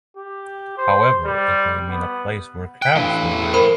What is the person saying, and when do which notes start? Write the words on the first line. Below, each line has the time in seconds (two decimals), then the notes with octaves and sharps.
However, it may mean a place where calves were reared.
0.17 G4
0.78 C5
1.25 G3
1.90 B3
2.82 G5 F#6 B6
2.95 A2 E3 D4 F5
3.54 A#4 C5 B5